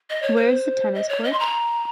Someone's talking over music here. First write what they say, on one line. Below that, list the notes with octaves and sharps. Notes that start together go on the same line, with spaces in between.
Where is the tennis court?
D#5
C#5
C5
D#5
C#5
D#5
C6
A#5